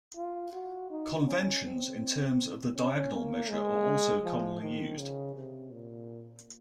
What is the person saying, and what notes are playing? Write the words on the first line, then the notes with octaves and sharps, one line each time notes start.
Conventions in terms of the diagonal measure are also commonly used.
F4
F#4
D#4
C#4
C4
C#4
A#3
G#3
F3
D#3
C#3
C3
A#2